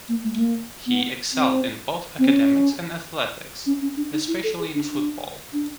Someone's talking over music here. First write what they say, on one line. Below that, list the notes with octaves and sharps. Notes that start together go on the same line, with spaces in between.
He excelled in both academics and athletics, especially in football.
A#3
A3
A3
A#3
B3
C4
C4
C#4
C#4
C#4
D4
D#4
E4
A4
G#4
D4
D4
D4